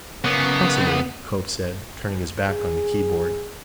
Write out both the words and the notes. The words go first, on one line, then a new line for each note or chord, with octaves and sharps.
"Possibly," Cope said, turning his back on the keyboard.
C#3 A#3 B3
G#4